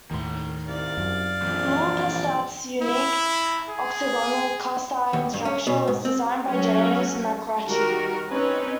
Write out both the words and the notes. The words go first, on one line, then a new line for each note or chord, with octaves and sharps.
Lau Pa Sat's unique, octagonal, cast-iron structure was designed by James MacRitchie.
D#2 A2 D#3 C6
C2 D5 F5
F#2
A#1 E3 C4
E4
G#4
D#2
G2
C#4
B2
G#2
C4
F#3 A3 C#4 F#4
D#3 G3 F#4 A#4
C4 C#4 D#4 B4 C#5